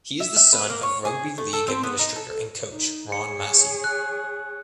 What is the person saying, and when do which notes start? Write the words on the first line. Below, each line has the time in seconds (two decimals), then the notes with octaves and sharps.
He is the son of rugby league administrator and coach Ron Massey.
0.20 E5
0.36 E5
0.53 B4
0.70 A#3
0.83 C#5
1.05 G#4
1.38 A3
1.53 A4
1.68 C4
1.83 B3
1.99 D#4
2.16 A4
2.71 D#4
3.12 G#4 C#5 C#7
3.84 F#6